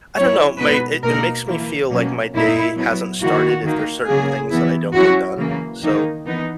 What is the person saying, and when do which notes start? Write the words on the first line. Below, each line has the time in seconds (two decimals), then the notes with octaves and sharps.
I don't know. My it it makes me feel like my day hasn't started if there's certain things that I don't get done. So,
0.16 F#3 C#4 E4 C#5
0.59 B2 G#3 B3 D#4 B4
1.03 B2 A#3 D#4 A#4
1.46 E3 A#3 E4
1.90 B2 F#3 A#3 C#4
2.34 A#2 A#3 D#4 E4
2.77 F#3 B3 E4
3.21 D#3 A#3 E4 F#4
3.63 D#3 A#3 D#4
4.07 C#3 F#3 A#3 G#4
4.51 E3 B3 E4
4.94 F#3 C#4 E4 F#4
5.37 C#3 E3 A#3
5.81 D#3 A#3 D#4
6.25 E3 B3 D#4